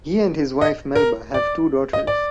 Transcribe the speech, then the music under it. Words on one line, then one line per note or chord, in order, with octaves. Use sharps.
He and his wife Melba have two daughters.
D#5
A#4
D5
D#5
D5